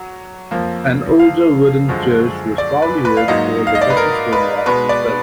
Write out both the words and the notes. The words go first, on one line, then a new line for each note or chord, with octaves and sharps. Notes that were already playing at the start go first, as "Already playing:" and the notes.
An older wooden church was probably here before the present stone one was built.
Already playing: F#3
F2 F3 A#3
F5
F#2 D3 F3 G#3
D5
B4
B4
F5
G#2 F#3 A#3 D#5
F5
D#5
D5
B4
A#4
B4
B2 G#3 B4
D5